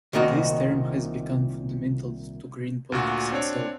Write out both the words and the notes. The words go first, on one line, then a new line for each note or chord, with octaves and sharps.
This term has become fundamental to green politics itself.
C2 A#2 D#3 D#4 F#4
D2 A#2 F#4
C4 D4 C#5